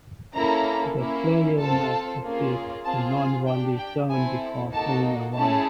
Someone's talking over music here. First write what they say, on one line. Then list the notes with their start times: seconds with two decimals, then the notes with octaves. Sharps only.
The player must exit the non-volley zone before playing a volley.
0.34 A#3 C#4 E4 A4 A#5
0.96 A#3 C#4 E4
1.59 C4 F4 A4 A5
2.22 A#3 C#4 F4 G#4
2.84 C4 F4 G#4 A5
3.16 G#5
3.46 D4 G4 G5
3.78 G5
4.10 C4 E4 A4 G#5
4.72 A#3 D#4 F#4 A4 A5
5.34 A3 C#4 E4 G#4 A5